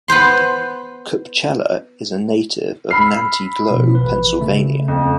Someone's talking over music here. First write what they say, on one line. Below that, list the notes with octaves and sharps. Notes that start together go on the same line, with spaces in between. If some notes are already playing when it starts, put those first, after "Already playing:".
Kupchella is a native of Nanty Glo, Pennsylvania.
B3 B4 C5 C6
B5 E6 F6 C7
B2 F3
A1 B4
C#3 A3
F2